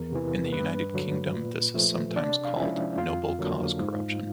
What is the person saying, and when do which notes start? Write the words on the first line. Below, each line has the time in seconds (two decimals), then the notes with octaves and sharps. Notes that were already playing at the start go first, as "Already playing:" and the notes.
In the United Kingdom, this is sometimes called 'Noble Cause Corruption'.
Already playing: E2 A#4
0.12 C3 E3
0.53 G2 B4
0.94 D3 F#3
1.35 A#2
1.75 F3 A3
2.16 C3 D4 D5
2.45 F5
2.57 F3 G#3 C#4 E4 E5
2.98 F2 F4 F5
3.39 D3 F#3 A#3 D4
3.80 G#2